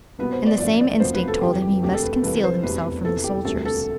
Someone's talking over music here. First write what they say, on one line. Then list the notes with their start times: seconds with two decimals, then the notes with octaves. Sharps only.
And the same instinct told him he must conceal himself from the soldiers.
0.19 C2 B2 B3 B4
0.33 C5
0.46 D5
0.59 A1 A2 F3 D5
0.81 D5
1.00 E1 D2 C3 F3 B3 C5
1.15 B4
1.28 A4
1.41 F1 F2 E3 G3 G4
1.62 G4
1.82 E1 D2 C3 G4
1.93 A4
2.03 B4
2.23 C2 C3 E3 A3 B4
2.44 C5
2.63 F1 E2 B2 G3 C4 B4
2.84 B4
3.04 E2 C3 E3 A4
3.24 G4
3.44 E1 D2 C3 G3 A4
3.65 A4